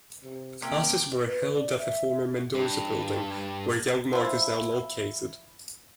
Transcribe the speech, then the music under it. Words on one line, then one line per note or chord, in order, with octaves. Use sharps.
Classes were held at the former Mendoza Building, where Young Mart is now located.
C3
C3 A#3 C#4 G5
B4
D5
E5
G2
F3 E4